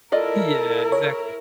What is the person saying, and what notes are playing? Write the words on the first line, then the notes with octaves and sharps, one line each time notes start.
Yeah, exactly.
E4 F4 A4 A#4 D5 D#5
C#5